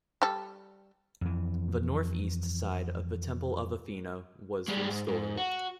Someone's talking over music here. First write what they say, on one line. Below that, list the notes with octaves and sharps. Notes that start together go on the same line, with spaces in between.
The north-east side of the Temple of Athena was restored.
G3 A4
F2 E3
G3 G#3
G#2
G#2
F#4